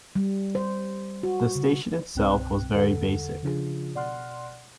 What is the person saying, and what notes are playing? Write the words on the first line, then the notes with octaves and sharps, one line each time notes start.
The station itself was very basic.
G3
C5
F#4
C#3
C2 G2 B2 C4 G5 F#6
E2 D3 A4 F#5
C#3 F3 D4 F4 G#4
B2 D5 F#5 C6 F6 F#6